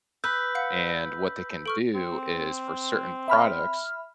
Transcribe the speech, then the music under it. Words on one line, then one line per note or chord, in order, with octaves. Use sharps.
And what they can do is for certain products,
B4 E6 G6 B6
F5 F#5 C#7
A4 C#6 F6 D7
C4
E5 B5 F6